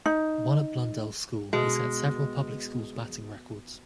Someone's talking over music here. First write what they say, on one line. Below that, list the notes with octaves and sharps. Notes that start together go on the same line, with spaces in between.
While at Blundell's School, he set several public school's batting records.
D#4
B2 G#3